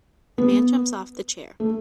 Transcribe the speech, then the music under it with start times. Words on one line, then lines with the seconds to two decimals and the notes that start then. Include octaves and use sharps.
The man jumps off the chair.
0.38 B3
1.60 A3